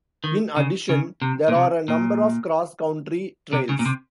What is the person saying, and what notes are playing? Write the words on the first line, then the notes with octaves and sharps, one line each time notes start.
In addition, there are a number of cross-country trails.
D#3
C#3
C#3
C3
A#2
C3
A#2
C3
C#3
A#2
C3